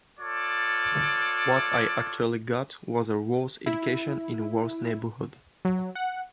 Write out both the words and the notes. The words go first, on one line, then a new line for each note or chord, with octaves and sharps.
What I actually got was a worse education in a worse neighborhood.
F4 A4 C#5 D5
E4
F#3
F#5